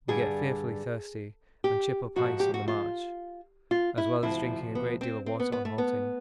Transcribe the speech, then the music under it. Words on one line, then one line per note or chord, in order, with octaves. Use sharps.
We get fearfully thirsty and chip up ice on the march, as well as drinking a great deal of water on halting.
G2 D3 G3 G#4
G4
G#2 F3 F#4
G4
F#4
F4
F4
E4
D2 C3 F3 E4
B3
C4
C4
B3
B3
A3
B3